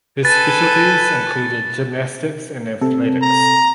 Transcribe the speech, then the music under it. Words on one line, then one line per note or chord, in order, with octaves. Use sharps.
Her specialities included gymnastics and athletics.
A4 B4 G#5 A6
C3 A4
A#5